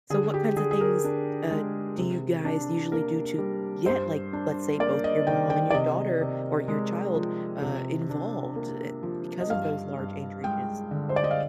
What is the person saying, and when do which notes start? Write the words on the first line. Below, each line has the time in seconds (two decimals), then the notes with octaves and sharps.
So, what kinds of things, uh, do you guys usually do to get, like, let's say, both your mom and your daughter or your child, uh, involved, eh because of those large age ranges.
0.10 D3 G#4
0.34 G4
0.56 D3 G#4
0.71 G#4
0.81 A#4
1.04 D4
1.51 G#3
1.98 C3
2.45 D4
2.92 A#3 A#4
3.38 G3
3.86 G2 C5
4.33 D4
4.80 A#3 D5
5.04 D#5
5.27 D#3 G5
5.50 G5
5.70 D5
5.74 C3 D#5
6.21 C3
6.68 G#3
7.15 F3
7.62 C3
8.10 D4
8.56 A#3
9.03 F3
9.40 D#5
9.50 G2 F5
9.97 G2
10.44 G#3 G5
10.91 D3
11.09 C5
11.16 D5
11.24 D#5
11.31 F5